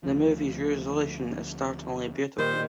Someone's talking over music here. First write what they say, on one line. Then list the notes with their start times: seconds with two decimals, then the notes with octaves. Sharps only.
The movie's resolution is startlingly beautiful.
0.03 D2 F3
2.39 A#2 D#3 G3 C5